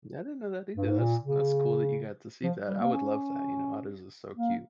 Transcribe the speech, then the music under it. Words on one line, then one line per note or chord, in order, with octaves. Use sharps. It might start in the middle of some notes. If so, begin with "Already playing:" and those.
Yeah, I didn't know that either. That's that's cool that you got to see that. I would love that, you know, otters are so cute.
G2
G#2
A#2
C#3
F3
G3
A#3
C#4
A#3